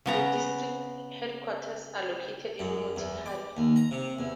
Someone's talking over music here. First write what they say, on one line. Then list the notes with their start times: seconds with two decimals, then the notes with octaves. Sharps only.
The district headquarters are located at Motihari.
0.06 C#3 B3 A#5
2.59 F#2
2.96 E2
3.26 D6
3.57 D#2
3.76 A#5
3.91 C3
4.19 E2